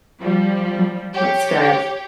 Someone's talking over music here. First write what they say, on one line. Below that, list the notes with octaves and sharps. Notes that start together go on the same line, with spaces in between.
Mhm. That's good.
F3 G3
G4 C#5